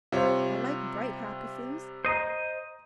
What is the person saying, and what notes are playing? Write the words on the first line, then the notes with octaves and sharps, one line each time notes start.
I like bright, happy things.
C3 G3 F4 C5 C#5
C5 D#5 A#5 D#6